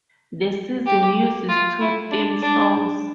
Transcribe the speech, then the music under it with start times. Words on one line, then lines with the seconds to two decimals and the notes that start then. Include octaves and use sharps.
The season uses two theme songs.
0.86 G4
1.49 F4
1.81 E4
2.11 D4
2.42 D4